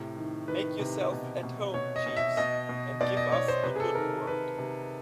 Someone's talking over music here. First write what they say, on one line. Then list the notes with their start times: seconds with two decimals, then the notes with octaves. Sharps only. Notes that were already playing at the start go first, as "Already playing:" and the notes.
Make yourself at home, Jeeves, and give us the good word.
Already playing: A2 C3
0.16 D#3
0.48 D#3 B4
0.79 C3
1.11 B2
1.43 B2
1.74 B2 C#5
1.96 D#5
2.06 B2
2.17 E5
2.37 B2 D#5
2.69 B2
3.01 B2 D5
3.17 D#5
3.32 B2 C#5
3.48 C5
3.63 C3 B4
3.75 G#4
3.80 A4
3.95 D#3 A#4
4.27 D#3 B4
4.58 C3